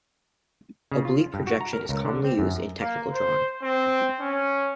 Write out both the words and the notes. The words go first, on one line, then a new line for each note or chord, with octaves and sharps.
Oblique projection is commonly used in technical drawing.
C#3
F4
G2
F#4
A#5
A#4
C#2
D3
C4
F#2
A#3
C5
C4
C#4